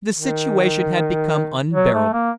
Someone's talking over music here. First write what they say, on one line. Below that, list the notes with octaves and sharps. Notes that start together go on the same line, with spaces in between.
The situation had become unbearable.
D#3
F#3
A3
A#3